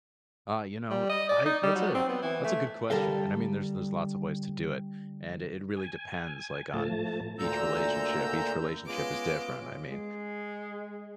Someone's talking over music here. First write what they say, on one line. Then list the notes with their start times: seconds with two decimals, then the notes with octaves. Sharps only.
Ah, you know, I that's a that's a good question and I mean there's there's lots of ways to do it, and it it really depends, like, on each relationship. Each relationship is different, I mean,
0.90 G3
1.09 D#5
1.29 D5
1.46 D#4
1.63 G3
1.75 F#3
1.94 C4
2.09 B3
2.22 E3
2.44 A3
2.90 D3 G3 A4 A#4 F5
5.77 G#5
6.74 A2 F3 A3 A5
7.39 D2 A#2 D3 A#5 E6 G6
8.86 G#3 B3 C#4 F4 D6
9.91 G#3